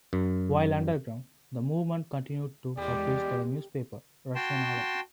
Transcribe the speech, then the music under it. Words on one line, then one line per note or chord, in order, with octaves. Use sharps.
While underground, the movement continued to publish their newspaper "Russian order".
F#2
E2 G3 G#3 G4 D5
F#4 G5 A5 C6